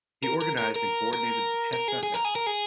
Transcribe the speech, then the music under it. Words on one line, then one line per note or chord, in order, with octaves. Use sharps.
He organised and coordinated the "Chestnut" network.
A#4
A#4
A#4
A#4
A#4
A#4
G#4
G#4
A#4
G#4
A#4
G#4